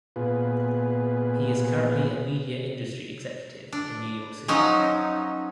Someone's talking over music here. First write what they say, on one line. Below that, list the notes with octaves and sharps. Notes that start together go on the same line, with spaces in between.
He is currently a media industry executive in New York City.
A#2 B3 F4 G#4 B4
D4
F3 F#3 C#4 D#4